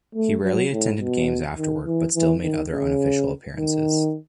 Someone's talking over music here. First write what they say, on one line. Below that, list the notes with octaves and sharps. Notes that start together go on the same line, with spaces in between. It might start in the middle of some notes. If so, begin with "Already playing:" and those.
He rarely attended games afterward, but still made other unofficial appearances.
A3
F#3
A2
B2
D#3
E3
E3
D#3
C#3
D#3